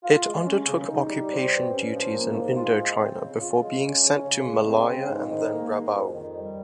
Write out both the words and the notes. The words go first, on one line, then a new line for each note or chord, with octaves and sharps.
It undertook occupation duties in Indochina before being sent to Malaya and then Rabaul.
F4
G#3
C#4
C#3
D#4
G3
C4
G2
C#4
F3
A#3
G#2
F4
G#3
C4
C#3
F4
G#3
C#4
C#3
C#3
G#3
C4
C#3
G#2
D#3
A#3
G#2
F2
D#3
G3